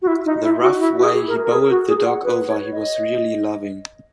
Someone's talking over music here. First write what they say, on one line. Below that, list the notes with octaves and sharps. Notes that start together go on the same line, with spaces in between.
The rough way he bowled the dog over was really loving.
F#4
E4
D#4
E4
F#4
E4
F#4
G#4
A#4
A#4
G#4
F#4
G#4
F#5
B4
C#5
D#5